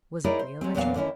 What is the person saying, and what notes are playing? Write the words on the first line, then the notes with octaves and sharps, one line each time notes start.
"Was it real, Richard?"
D#4 E4 G#4 A#4 C#5 D5
C5
F#3 G#3 C4
E2 A#2 F#3 B3 D4 F5
D3 D#3 C#4 E4